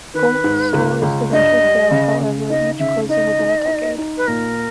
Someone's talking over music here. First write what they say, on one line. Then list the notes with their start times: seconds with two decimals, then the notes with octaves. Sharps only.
Both stores eventually failed, however, each closing within a decade.
0.14 D#3 B4
0.44 G#2
0.73 C#2
1.02 C#2
1.32 G2 D#5
1.62 G3
1.91 C#3
2.20 C#3
2.50 D#4 D#5
2.79 C#3 E5
3.09 D#4 D#5
3.39 D#4
3.68 D#4
3.98 D#4
4.17 B4
4.27 A#2 A#4